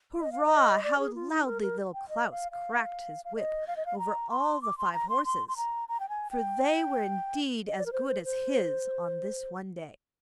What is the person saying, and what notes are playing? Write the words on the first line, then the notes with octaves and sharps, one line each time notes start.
Hurrah! how loudly Little Klaus cracked his whip over all the five horses! for they were indeed as good as his on this one day.
D#5
F5
D#5
D5
G#4
F4
D#4
A#4
A#4
G5
D#5
F5
F5
F5
D#5
F5
D#5
F5
A#5
C6
D6
C6
A#5
C6
C6
C6
A#5
A#5
G5
G#5
G5
D#5
D5
A#4
C5
C5
C5